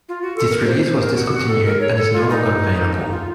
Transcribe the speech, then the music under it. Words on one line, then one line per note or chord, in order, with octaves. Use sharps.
This release was discontinued and is no longer available.
F4
F#4
A4
A#4
C5
C5
A#4
F#4
A4
F#4
A4
A#4
C#5
A4
F4
D#4
F4